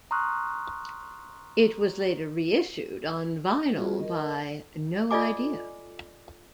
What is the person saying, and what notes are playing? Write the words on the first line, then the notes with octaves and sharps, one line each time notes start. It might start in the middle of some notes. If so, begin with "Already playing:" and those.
It was later reissued on vinyl by No Idea.
A#5 C6 C#6 D#6 F6 F#6
G3 F4 F#4 G#4
A#4 D#5
F4 A4 D5 D#5 G#5 D6